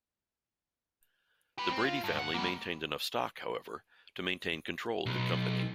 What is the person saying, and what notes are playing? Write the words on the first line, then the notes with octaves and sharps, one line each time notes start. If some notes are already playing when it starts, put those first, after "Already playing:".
The Brady family maintained enough stock, however, to maintain control of the company.
G4 B4
C4
F4
G2
F#5
G3 A#3
B1